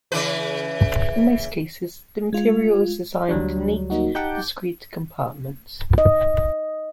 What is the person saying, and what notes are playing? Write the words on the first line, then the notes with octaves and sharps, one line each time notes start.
In most cases, the material is assigned to neat, discrete compartments.
C#3 E3 B4
G#3 F4
D2 F#3 G3 D4
A#3 D#4 F#4
D#4 G4 F#5 A5 D6 G6
D#5